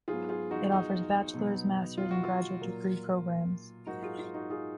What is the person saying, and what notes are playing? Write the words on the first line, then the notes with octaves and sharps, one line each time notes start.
It offers bachelor's, master's and graduate degree programmes.
G#2 F#3 B3 F4 G#4
F4 G#4
D#4 F#4
D#4
B2 F#3 B3
F4
F#4
F4
A#2 F#3 A#3
G#2 F#3 A#3 D#4 F#4
F4 G#4
F4
D#4 F#4
F4 G#4